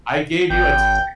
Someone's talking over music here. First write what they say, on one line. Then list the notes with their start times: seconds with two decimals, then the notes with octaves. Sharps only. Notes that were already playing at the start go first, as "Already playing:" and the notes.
I gave you a test
0.50 G#1 G5